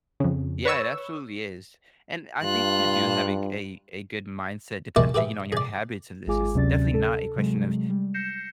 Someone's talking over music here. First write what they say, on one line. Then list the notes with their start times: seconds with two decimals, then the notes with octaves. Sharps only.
Yeah, it absolutely is, and I think you do have a g a a good mindset depend you know, on your habits this is definitely not a question of
0.20 F2 C#3
0.65 B4 C#5 C#6 E6
2.43 G2 F4 F#6
4.96 G3 G#3 F#4 A#4 D5 E5
5.14 G4 G#4 B4 E5
5.52 G#4 D5
6.27 G#1 G#3 F4 G#4 G#5 D6
6.54 D2 C3 F#3 C#4 D5 A6
6.94 A4
7.36 C3 F#3 G#3
7.89 G3
8.14 G6 A#6 C7 C#7 E7